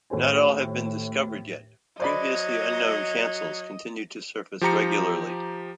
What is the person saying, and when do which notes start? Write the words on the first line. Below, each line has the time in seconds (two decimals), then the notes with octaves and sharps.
Not all have been discovered yet; previously unknown cancels continue to surface regularly.
0.10 D#2 A2 A3 C5 G#5
2.00 F#3 C5 D5 D#5 B5
4.61 F3 G4 A#5 C#7